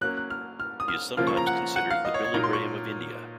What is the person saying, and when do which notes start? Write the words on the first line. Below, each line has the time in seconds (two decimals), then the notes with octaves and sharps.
He is sometimes considered the "Billy Graham of India".
0.01 F#3 A#3 C#4 F#6
0.17 F#6
0.30 F6
0.60 F6
0.80 D#6
0.88 F6
1.17 C#3 F3 A#3 F4 F6
1.27 C#6
1.37 A#5
1.47 F#5
1.76 F#5
1.90 F5
2.05 D#5
2.14 C#5
2.24 C#5
2.34 A#2 F#3 A#3 D#4 A#5
2.43 C6
2.53 C#6